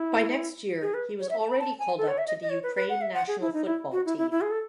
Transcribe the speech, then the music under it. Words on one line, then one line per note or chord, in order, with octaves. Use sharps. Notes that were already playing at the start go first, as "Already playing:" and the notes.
By next year he was already called up to the Ukraine national football team.
Already playing: E4
G#4
B4
C#5
E5
A5
B5
A5
G#5
A4
C#5
E5
D#5
D#5
C#5
B4
B4
F#5
E5
F#5
G#4
E4
D#4
E4
F#4
E4
E4
E4
G#4
A4